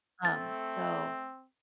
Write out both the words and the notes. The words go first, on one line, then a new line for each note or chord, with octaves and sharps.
Um, so,
A3 C4 A6